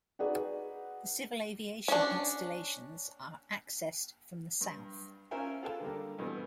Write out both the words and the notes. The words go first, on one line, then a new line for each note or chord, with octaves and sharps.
The civil aviation installations are accessed from the south.
D#4 F#4 G#4 B4 D5 F#5
C#4 D4
G2
C#4 F4 A#4 C5 E5 G#5
F4 G#4 A4 B4 G5 A5
D3 G3 A#3
G2 B2 E3 A3 B3 C4